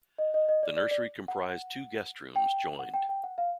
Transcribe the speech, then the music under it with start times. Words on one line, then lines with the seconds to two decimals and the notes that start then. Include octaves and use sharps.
The nursery comprised two guest rooms joined.
0.18 D#5
0.34 D#5
0.49 D#5
0.63 D5
0.77 D5
0.91 D5
1.28 F#5
2.36 G5
2.79 F#5
2.94 G5
3.09 G5
3.24 F#5
3.38 F5